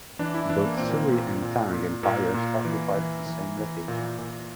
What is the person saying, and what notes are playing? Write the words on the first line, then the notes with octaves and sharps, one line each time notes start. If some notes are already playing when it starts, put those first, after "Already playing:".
Both Sui and Tang empires occupied the same location.
E3 D4
E4
E3 D4
A#3
A#2 C4
A#3
A#2
A#2
A#2
A#2 A#3
A#2
E3
E3
E3
E3
A#2
A#2